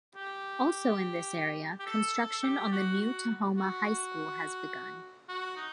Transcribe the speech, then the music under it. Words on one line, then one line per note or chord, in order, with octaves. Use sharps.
Also in this area, construction on the new Tahoma High School has begun.
G4
G4
A4
A4
A4
G4
F#4
F#4
F#4
F#4
D#4